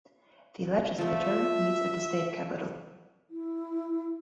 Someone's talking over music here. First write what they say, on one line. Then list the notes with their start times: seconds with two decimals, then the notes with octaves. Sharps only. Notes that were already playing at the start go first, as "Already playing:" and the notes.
The Legislature meets at the State Capitol.
0.98 F3 A3 E5
3.30 E4